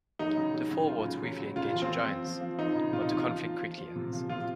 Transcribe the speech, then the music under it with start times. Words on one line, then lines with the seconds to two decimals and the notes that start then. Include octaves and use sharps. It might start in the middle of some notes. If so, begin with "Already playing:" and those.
The Forwards briefly engage the Giants, but the conflict quickly ends.
0.19 F#3 D#4
0.37 C#3
0.54 F#3
0.71 C#3
0.88 F#3 F4
1.05 C#3
1.22 F#3
1.39 C#3
1.55 C#3 F4
1.73 F3 F4
1.82 C4
1.90 F3
2.07 F3
2.25 F3
2.41 F3
2.58 F3 D#4
2.75 C#3
2.93 C3 F4
3.02 D#4
3.10 F3 F4
3.27 F3
3.43 F3
3.61 F3
3.78 F3
3.95 C3
4.13 F3
4.29 C3 F4